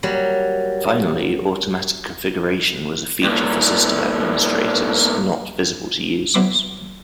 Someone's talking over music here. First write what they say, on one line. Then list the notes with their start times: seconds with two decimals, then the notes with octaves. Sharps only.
Finally, automatic configuration was a feature for system administrators, not visible to users.
0.03 F#3 G3 A#3
3.23 G2 A#2
6.34 F#3 B3 E5 C6 D6